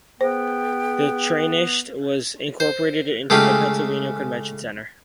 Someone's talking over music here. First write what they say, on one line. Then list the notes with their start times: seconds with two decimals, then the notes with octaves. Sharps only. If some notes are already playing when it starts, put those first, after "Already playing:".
The trainshed was incorporated into the Pennsylvania Convention Center.
0.21 B3 G#4 C5 G5
2.60 C5
3.30 C#3 G#3 A3 F4 G4